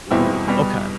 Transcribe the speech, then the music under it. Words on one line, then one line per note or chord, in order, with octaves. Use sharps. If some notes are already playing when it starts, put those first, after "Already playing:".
Ooh, okay,
E2 B2 G3 C4 E4
B2 G3 B3